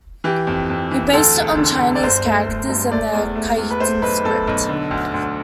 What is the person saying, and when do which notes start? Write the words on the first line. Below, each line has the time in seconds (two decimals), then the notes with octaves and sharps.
He based it on Chinese characters and the Khitan script.
0.24 E3 G4
0.47 F2
0.70 F2
0.91 E3
1.13 D2 A4
1.36 E1
1.57 D3
1.80 E1
1.95 D5
2.03 G1 C5
2.25 A3
2.47 A3
2.69 G2
2.92 A3 D5
3.13 E2
3.35 A3
3.57 E2
3.71 B4
3.80 A3 C5
4.02 B1 B4
4.24 B1 A4
4.47 B1
4.69 D3
4.91 D2
5.13 D2